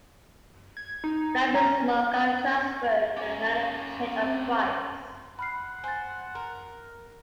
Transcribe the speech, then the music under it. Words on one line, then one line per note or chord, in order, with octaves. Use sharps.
Matthew Smucker, transferred to the United Church of Christ.
G#6
D#4
C#4 A#5
C#4 G4 A#4
C4
F#5 B5 F6 C7
C5 G#5 A6
A#4